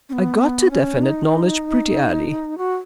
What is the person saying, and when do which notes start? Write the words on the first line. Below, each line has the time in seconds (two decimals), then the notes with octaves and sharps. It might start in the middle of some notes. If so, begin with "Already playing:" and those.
I got to definite knowledge pretty early.
0.09 C#4
0.13 B3
0.71 C#4
1.02 D#4
2.58 F#4